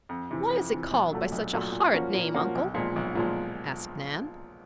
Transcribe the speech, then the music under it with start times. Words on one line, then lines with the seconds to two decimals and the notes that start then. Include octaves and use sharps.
"Why is it called by such a horrid name, Uncle?" asked Nan.
0.09 F2
0.31 C3 E3
0.50 F2
0.71 C3 E3
0.91 B1
1.12 A#2 F#3 A3
1.32 B1
1.53 A#2 F#3 A3
1.72 A#2
1.93 F3 A#3 C#4 F#4
2.14 A#2
2.35 F3 A#3 C#4 F#4
2.55 B1
2.74 A#2 F3 G#3
2.96 B1
3.15 A#2 F3 G#3